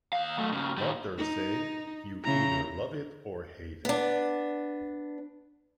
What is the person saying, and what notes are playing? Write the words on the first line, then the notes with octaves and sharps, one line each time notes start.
Butters said, You either love it or hate it.
D#2 F5
F#3 A3
G2 C#3
D#3 G3
D#4
C#3 E4 A#5
B3 D4